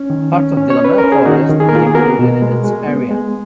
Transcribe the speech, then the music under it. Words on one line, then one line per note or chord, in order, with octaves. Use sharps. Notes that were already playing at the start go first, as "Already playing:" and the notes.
Part of Delamere Forest is included in its area.
Already playing: C#4
D#3
C#4
C#4
C#5
C#4 B4
A#4
C#4
G#4
D#3 D#4 F#4
D#3
G#4
A#4
A#3 F4 G#4
G#4
B3 F#4 A#4
B2
G#3
G#3
B3
G#3